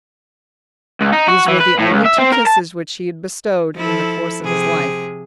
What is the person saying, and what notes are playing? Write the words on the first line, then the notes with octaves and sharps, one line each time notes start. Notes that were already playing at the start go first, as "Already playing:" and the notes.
These were the only two kisses which he had bestowed in the course of his life.
C#2
D#4
F#4
E3
B4
A2
C#2
E5
C4
A#4
A5
F3 E4 A4
C3 F3 G#4